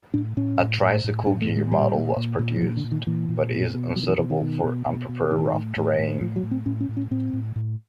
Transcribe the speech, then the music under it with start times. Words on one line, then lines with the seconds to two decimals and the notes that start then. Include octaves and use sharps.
A tricycle-gear model was produced, but is unsuitable for unprepared rough terrain.
0.14 A2 D4
0.37 A2 C#4
0.60 A2
0.82 A2
1.04 A2
1.26 A2 D4
1.41 A3
1.49 A2
1.56 G#3
1.71 A#2 G3
1.94 A#2
2.16 A#2
2.39 A#2
2.56 F3
2.62 A#2 F#3
2.77 D3
2.84 A#2
2.92 D#3
3.07 A#2 E3
3.29 A#2
3.51 B2
3.74 B2
3.96 B2 F#3
4.03 D#3
4.07 E3
4.19 B2 E3
4.30 D#3
4.41 B2
4.64 B2
4.86 B2
5.09 B2
5.31 A2 D#3
5.53 A2
5.76 A2
5.99 A2
6.21 A2 F3
6.36 F#3
6.43 A2
6.51 C4
6.66 A2 C#4
6.80 C#4
6.89 A2
6.97 C#4
7.11 A2 C4
7.33 A2
7.56 A2